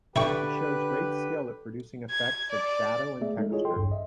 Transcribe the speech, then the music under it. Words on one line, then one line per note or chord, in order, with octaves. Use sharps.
He shows great skill at producing effects of shadow and texture.
D3 E4 G4 B4 G5 C#6
G#6
D5
A3 B3 G#4 D5 E5
G#3 D#4 A4
E4 F4 G#4 C#5 D#5
A4 G5 C6
A#1 E2 G2
D#5 E5